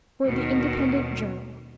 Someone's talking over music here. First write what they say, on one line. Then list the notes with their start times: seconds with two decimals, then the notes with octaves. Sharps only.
For the Independent Journal.
0.25 D#2 B2 D#3